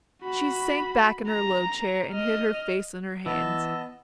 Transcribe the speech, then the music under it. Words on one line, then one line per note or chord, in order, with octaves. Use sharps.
She sank back in her low chair and hid her face in her hands.
F#4 B5
A#5
D#5 F6
E3 B3 D#5 A5 E6